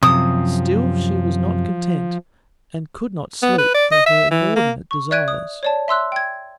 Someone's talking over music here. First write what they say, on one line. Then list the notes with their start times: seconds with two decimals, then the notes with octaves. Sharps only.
Still she was not content, and could not sleep for her inordinate desires.
0.03 F#2 C3 F3 D#6
3.42 B3
3.58 B4
3.74 D5
3.91 D#5
4.06 E5
4.31 E3
4.56 A#3
4.91 C#6
5.11 D5 E5 F#6 G#6 D7 D#7
5.28 D#6
5.63 C#5 D5 A5
5.88 E5 C6 E6 F#6
6.12 G5 G#6